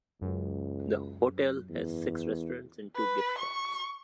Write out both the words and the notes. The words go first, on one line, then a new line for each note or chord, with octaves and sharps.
The hotel has six restaurants and two gift shops.
C#2 F#2
E2
B4
C#6